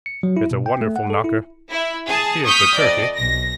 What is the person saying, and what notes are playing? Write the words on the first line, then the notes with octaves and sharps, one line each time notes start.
It's a wonderful knocker!--Here's the turkey.
C#7
F#3
E4
B2
G5
A3
F#5
A4
E4
E4
G#4 A5
C#6 D#6 F6 G6 B6
F2 D5 D#5
B1 A#6